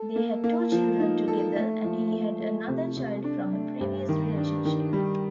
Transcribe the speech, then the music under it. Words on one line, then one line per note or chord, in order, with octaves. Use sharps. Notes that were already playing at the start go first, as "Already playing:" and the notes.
They had two children together and he had another child from a previous relationship.
Already playing: A4
A#3
A#3
F3
D#4
A4
A3
F3
A3
A3
C3
C3
D4
A3
G2
D#3
D4
D#3
G3